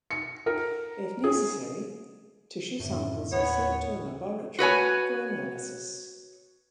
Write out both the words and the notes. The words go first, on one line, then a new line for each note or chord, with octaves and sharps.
If necessary, tissue samples are sent to a laboratory for analysis.
C#7
A#4
G#4
F#2 A2 D3
D#2 B3 C#5
F#4 B4 C#5 G#5